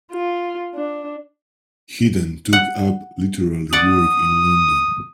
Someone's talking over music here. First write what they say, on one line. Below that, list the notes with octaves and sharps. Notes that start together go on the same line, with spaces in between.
He then took up literary work in London.
F4
D4
F#5
D5 F#5 D#6